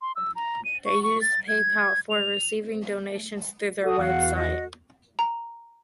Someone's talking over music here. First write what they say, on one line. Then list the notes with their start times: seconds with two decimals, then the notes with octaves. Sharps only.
They used PayPal for receiving donations through their web site.
0.02 C6
0.16 E6
0.36 A#5
0.65 D#7
0.85 C#6
1.03 C#6
1.22 A6
1.48 G#6
2.10 F7
3.83 F#4 A4 D#6
3.97 E2 F#4 F5 F#5
4.36 F#4 D#5
5.19 A#5